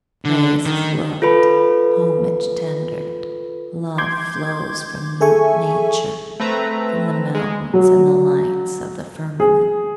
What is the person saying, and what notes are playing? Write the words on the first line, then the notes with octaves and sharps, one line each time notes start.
Praise is looked, homage tendered, love flows, from mute nature, from the mountains and the lights of the firmament.
D3
D#3
F4 A4 B4 B5
C6 D6 G6 G#6
G#4 A4 E5 G#5 C#6
A3 C4 B4 E5 A#5
G#3
F#3
G#4